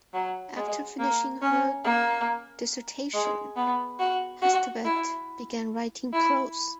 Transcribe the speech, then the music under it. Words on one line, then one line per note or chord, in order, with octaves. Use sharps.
After finishing her dissertation, Hustvedt began writing prose.
F#3
G#3
A#3
C#4
A#3
G#3
B3
F#4
F#4
E4
E4